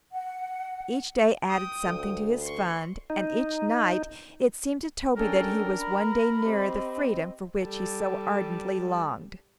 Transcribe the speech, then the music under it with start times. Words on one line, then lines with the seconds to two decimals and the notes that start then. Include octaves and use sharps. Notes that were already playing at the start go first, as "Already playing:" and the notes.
Each day added something to his fund, and each night it seemed to Toby that he was one day nearer the freedom for which he so ardently longed.
0.12 F#5
1.46 G5 D#6
1.86 D2
2.43 C6 C#6
3.10 D#4
5.17 C#4 D4 A4 A#4 G5
5.80 A#5 B5
6.46 C4 G4 D#5
7.63 G3 A4